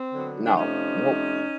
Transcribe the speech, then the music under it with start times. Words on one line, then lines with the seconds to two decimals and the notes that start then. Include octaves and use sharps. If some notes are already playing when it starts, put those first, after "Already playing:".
No, nope.
Already playing: C4
0.13 D3 F#3 B3
0.46 D4
0.57 C3 F3 A3 C#4 D#4
1.01 C3 F3 A3